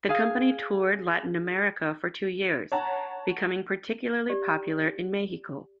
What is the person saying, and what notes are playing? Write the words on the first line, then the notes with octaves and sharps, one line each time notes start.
The company toured Latin America for two years, becoming particularly popular in Mexico.
G#4 F5
C#5 F#5 A5 A#5
G4 D5